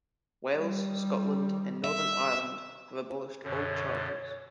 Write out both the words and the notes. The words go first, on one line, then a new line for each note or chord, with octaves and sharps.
Wales, Scotland and Northern Ireland have abolished all charges.
D#3 G3
E5
F#2 B2 D3 C#5